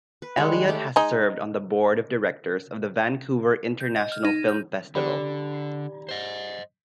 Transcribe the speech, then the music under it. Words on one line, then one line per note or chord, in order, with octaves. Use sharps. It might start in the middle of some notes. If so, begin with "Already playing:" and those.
Elliott has served on the board of directors of the Vancouver International Film Festival.
B4
D#3 G3 G#3 C#5
A3 G4 G5
G#3 D#4
G6
D#5
F6
D#4
G6
D3 G4 D5 B5
C5 D#5